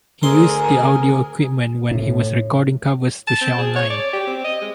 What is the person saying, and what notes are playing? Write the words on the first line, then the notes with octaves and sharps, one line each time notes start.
He used the audio equipment when he was recording covers to share online.
D2 G#4 A#4 G#5 C6
A2
A5
C4
G#4
C#5
D5
G4
C4
D#5
G#3